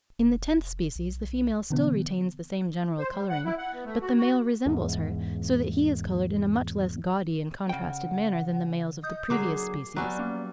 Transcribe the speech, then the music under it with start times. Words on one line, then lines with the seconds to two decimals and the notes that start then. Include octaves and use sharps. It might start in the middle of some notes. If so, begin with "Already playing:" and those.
In the tenth species the female still retains the same general colouring, but the male resembles her, so that he is coloured in a much less gaudy and contrasted manner than the males of the previous species.
0.19 F1
0.96 B1
1.70 B2 D3 E3 B3
2.99 C5
3.13 G3
3.29 F#5
3.45 E4
3.58 F#5
3.73 B3
3.85 A3
4.01 F#4
4.17 F#4
4.66 E2 G#2
7.69 C#3 F#5 G5
9.03 D#5 D#6 G6
9.30 D3 F#3 A#3 G#4 D6 C7
9.96 F#3 G3 B3 D5 G#5 C#6 F#6
10.19 A#3 C#4